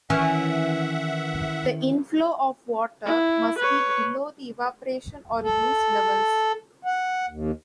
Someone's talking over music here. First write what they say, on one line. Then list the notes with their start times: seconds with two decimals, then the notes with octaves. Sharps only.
The inflow of water must be below the evaporation or use levels.
0.10 D#3 E3 C#4 E5 F#5
3.06 E4
3.59 B4 C#5
5.43 A4
6.85 F#5
7.29 D#2